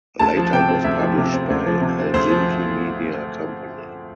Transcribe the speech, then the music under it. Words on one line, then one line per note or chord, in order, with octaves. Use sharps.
Later it was published by Helsinki Media Company.
D2 A5
F3
C3 G5
C4
D2 E5
F3
C3
C4
D2
F3
C3
C4
D2 C5
F3